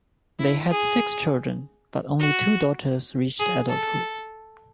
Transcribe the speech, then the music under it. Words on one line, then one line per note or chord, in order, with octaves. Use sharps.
They had six children, but only two daughters reached adulthood.
E4
G#4
F#4
G#4
A4